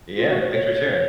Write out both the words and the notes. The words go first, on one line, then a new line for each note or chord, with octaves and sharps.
Yeah, thanks for sharing.
F4
F#4
C5
C#5
C#5